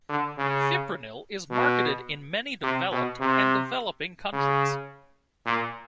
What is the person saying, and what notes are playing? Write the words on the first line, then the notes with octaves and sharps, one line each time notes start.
Fipronil is marketed in many developed and developing countries.
D3
C#3
B2
C3
B2
C3
C#3
A#2